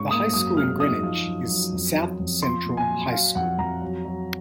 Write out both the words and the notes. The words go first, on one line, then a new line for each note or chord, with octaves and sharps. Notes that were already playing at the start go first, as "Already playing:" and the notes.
The high school in Greenwich is South Central High School.
Already playing: G#2 C#4 C#6
A#3 D#6
F#2 D#6
G#3 F6
D#4 D#6
F3
F#2
F#2
F2
F#3
F2
F4 C6
A#2
G#5
F#3
F#3 F5
F2 F#5
F2 A#5
F#3
F#3